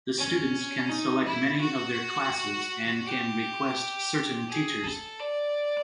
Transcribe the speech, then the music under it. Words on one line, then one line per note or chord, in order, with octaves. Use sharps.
The students can select many of their classes and can request certain teachers.
C#4
D#4
E4
F#4
G4
G#4
A4
D5